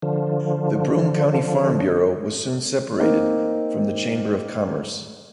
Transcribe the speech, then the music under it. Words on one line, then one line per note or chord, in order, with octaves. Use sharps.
The Broome County Farm Bureau was soon separated from the Chamber of Commerce.
D3 F3
A#3 C4 D#4